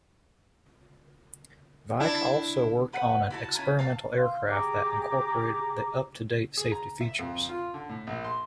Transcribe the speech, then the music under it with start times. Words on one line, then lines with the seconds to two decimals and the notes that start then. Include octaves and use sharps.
Weick also worked on an experimental aircraft that incorporated the up-to-date safety features.
2.00 D4 E4
2.93 G4 B4 F#5
3.30 E4 F#4 A5
3.56 C#4 E4 F4
3.79 F5 A5 E6
4.17 F5 C6
4.49 G4 G#4 A#5 D6
6.57 G#4
6.72 A#5
7.01 E5
7.19 F2
7.49 F4
7.74 D3
7.89 A2
8.07 A#1
8.24 C6